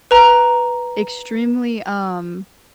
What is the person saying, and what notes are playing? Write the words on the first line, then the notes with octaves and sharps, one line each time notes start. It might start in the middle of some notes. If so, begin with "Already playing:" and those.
extremely um
B4 A#5